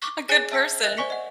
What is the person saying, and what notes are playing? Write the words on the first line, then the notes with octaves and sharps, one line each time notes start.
A good person.
C#6 D6
G#4 C#5 G#5 F#6 C#7 G7
E5 A5 E6 B6 C#7
A#4 D#5 E5 F#6 A6 A#6
C5 D5 G#5 C#6 B6 C#7
D#5 F#5